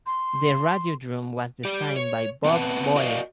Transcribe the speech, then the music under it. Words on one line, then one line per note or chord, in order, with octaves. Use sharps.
The radiodrum was designed by Bob Boie.
C6
G4 D5
C#5
B3 C4 B4 F#5 A5
F#4 A#4 D5 D#5 F5